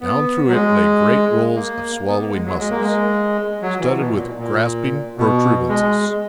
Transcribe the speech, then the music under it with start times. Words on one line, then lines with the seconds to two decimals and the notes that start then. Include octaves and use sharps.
Down through it lay great rolls of swallowing-muscles, studded with grasping protuberances.
0.01 B3
0.48 F#3
0.53 G#3
1.56 A#3
2.08 B3
2.20 A#3
2.33 G#3
2.46 F#3
2.59 G#3
2.70 A#3
2.80 G#3
3.62 F#3
3.80 E3
3.97 B2
4.14 A#2
4.38 A#2
5.17 B2
5.69 G#3